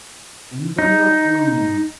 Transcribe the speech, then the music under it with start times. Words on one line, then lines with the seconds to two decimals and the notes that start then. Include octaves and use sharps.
"In the milk-room."
0.79 D#4